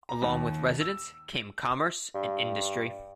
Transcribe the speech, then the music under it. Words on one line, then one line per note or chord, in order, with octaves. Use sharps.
Along with residents came commerce and industry.
A#5
D#2
E6
G2